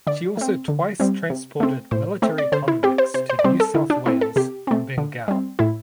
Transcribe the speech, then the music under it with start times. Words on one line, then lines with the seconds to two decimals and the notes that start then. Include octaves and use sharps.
She also twice transported military convicts to New South Wales from Bengal.
0.07 D3 D5
0.37 A3 C4
0.68 D3
1.00 G3 C4
1.30 C3
1.60 A3 C4
1.91 A2 C5
2.22 A3 C4
2.38 D5
2.52 D3 C5
2.68 E4
2.83 C4 G4
2.98 C5
3.14 C3 C5
3.30 C5
3.39 D5
3.44 G3 C4 C5
3.60 A4
3.75 D3 E4
3.90 D4
4.06 A3 C4 E4
4.21 A4
4.36 C3 G4
4.67 A3 C4
4.98 D3
5.28 G3 C4
5.59 A2 E4